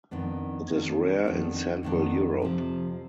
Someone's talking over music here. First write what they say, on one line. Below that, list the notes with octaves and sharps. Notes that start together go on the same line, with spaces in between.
It is rare in Central Europe.
F2 D#3 B3 D4
F2 D#3 B3 D4
F2 D#3 B3 D4
F2 D#3 B3 D4
F2 C3 F3